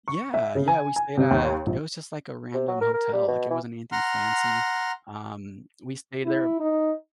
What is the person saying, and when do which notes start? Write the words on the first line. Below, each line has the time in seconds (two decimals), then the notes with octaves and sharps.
Yeah, yeah, we stayed at it was just like a random hotel, like, it wasn't anything fancy, um, we stayed there
0.08 C#6
0.34 E5
0.55 C#3
0.68 G#5
0.96 G#5
1.17 C3
1.31 D#2
1.66 A#1
2.54 C3
2.68 F#3
2.81 A#4
2.93 A#4
3.13 G3
3.28 B2
3.50 E3
3.92 F#5 A#5 C6 F6
6.25 E4
6.60 D#4